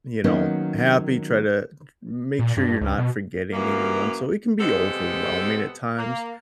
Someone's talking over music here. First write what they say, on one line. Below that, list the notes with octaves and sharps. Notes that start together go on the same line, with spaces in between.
you know, happy. Try to make sure you're not forgetting anyone. So, it can be overwhelming at times.
D#3 F#3 A#3 B3 C#4 D#4
A#2
G2
C#2
B2
F#2 E3 A#3
C3 G#3 B3 G#4 A4
A#3